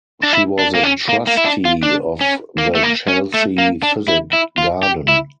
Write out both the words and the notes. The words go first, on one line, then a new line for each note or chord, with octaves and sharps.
She was a Trustee of the Chelsea Physic Garden.
D4
E4
D4
A#3
C#4
A#3
A#3
E4
D4
F4
D4
C#4
A#3
A3
A#3
C#4
A3
A#3
D4
E4
E4
F4
G4
E4